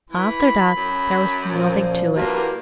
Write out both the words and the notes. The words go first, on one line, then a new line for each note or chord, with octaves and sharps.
After that there was nothing to it.
E3 B5
F#2
A#2 F3
G2 A#3 E4 F#4